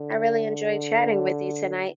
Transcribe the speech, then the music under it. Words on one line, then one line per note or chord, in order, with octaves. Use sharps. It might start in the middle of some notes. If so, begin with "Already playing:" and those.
I really enjoyed chatting with you tonight.
Already playing: D3